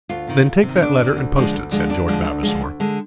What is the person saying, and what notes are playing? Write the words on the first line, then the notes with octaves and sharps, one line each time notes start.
"Then take that letter and post it," said George Vavasor.
D2 F4
C3 D#3
D2
C3
D#3
D#4
D2 D4
C3 D#3
D2
D3 F3 G#3
D2
D3 F3 G#3
D2 D4
D3 F3 G#3
D2
D3 F3 G#3
D2
D3 G#3